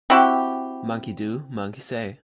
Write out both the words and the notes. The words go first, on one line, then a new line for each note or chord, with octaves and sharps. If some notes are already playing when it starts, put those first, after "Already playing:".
Monkey do, monkey say.
C4 E4 F#4 G4